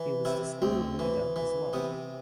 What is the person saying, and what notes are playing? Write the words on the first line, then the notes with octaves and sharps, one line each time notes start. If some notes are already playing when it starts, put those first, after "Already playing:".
He was the school leader as well.
Already playing: E3
C3 E4
D2 C4
E3
E3
C3 B3